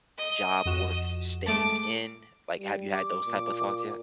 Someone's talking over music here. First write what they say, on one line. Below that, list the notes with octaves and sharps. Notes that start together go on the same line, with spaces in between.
job worth staying in? Like, have you had those type of thoughts yet?
D#5
F2 F#4 E7
G#3 A3 A5 D6
G3
D6
A#2